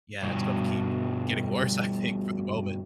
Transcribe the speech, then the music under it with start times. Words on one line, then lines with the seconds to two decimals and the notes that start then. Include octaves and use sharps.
yeah, it's gonna keep getting worse, I think, for the moment,
0.23 G2 B2